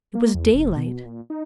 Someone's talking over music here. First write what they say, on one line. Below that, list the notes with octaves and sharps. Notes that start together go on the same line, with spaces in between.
It was daylight.
A#3
E2
F1
B2
A#2
D#4